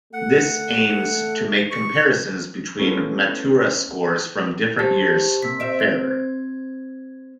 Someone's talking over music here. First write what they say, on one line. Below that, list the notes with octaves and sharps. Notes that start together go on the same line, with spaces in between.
This aims to make comparisons between Matura scores from different years fairer.
A3 F#5
C#6
A3 B3 C#4 E4 F4 A#4
G4 C5 A5
C3 A#3 B6
C4 E5 D7
G#6